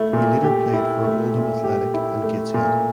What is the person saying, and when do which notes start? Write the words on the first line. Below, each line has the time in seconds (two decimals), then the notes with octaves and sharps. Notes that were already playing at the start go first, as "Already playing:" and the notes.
He later played for Oldham Athletic and Gateshead.
Already playing: A3 E4
0.13 A#2
0.44 G4
0.73 E4
1.04 A3
1.34 A#2
1.64 G4
1.94 E4
2.24 A3
2.54 A#2